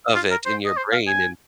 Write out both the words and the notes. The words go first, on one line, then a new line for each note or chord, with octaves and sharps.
of it in your brain and
F4
A#4
C5
D#5
C5
F5
G#5